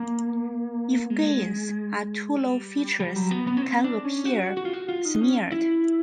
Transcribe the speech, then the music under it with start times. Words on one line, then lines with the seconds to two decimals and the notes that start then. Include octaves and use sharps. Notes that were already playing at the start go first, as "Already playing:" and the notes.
If gains are too low features can appear smeared.
Already playing: A#3
1.10 G#3
2.36 G3
3.00 G3
3.16 F#3
3.31 B3
3.47 B3
3.57 C#4
3.62 C4
3.84 D4
4.05 C#4
4.25 F#4
4.57 F#4
4.65 F4
4.73 F#4
4.89 F4
5.05 D#4
5.21 C#4
5.52 E4